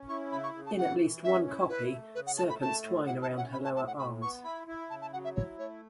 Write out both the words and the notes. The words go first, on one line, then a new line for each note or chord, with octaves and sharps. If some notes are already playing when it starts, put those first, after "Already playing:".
In at least one copy, serpents twine around her lower arms.
Already playing: C#4
E4 C#6
C#3 B5
C#6
C#3
A5
E3 F#5
E3
C#4 E5
E4
E4 B4
A3
C#3 B4
F#5
A3 A5
B5
A3 A5
A2
E4 F#5
A5
C#4
F#5
A2 B5
A5
A2 A5
F#5
A2 B5
B3 C#6
E4 B5
E4
C#3 A5
A5
F#3 F#5
E5
E4 C#5
A3 C#5